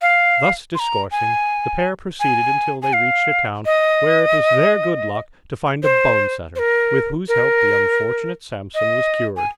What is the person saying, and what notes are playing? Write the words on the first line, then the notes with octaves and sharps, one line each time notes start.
Thus discoursing, the pair proceeded until they reached a town where it was their good luck to find a bone-setter, with whose help the unfortunate Samson was cured.
F5
C6
A#5
G#5
G#5
G#5
F5
D#5
C5
C5
A#4
A#4
D#5
G#5